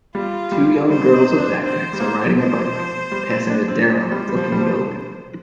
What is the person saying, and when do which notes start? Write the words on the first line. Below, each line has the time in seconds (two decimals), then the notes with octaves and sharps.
Two young girls with backpacks are riding a bike, passing a derelict looking building.
0.15 G3 F4
0.52 G3
0.89 G3 C5
1.13 C4
1.38 D4
1.63 C4 C5
1.93 G3
2.00 A#3
2.38 F3 C5
2.56 F3
2.75 F3
3.12 G3
3.30 C4
3.50 D4
3.68 C4
3.86 C5
4.12 G3
4.29 G3
4.37 F3
4.52 G3
4.61 F3